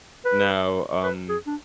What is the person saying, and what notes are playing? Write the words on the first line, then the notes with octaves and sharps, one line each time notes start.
Now, um,
B4
B4
G#4
D4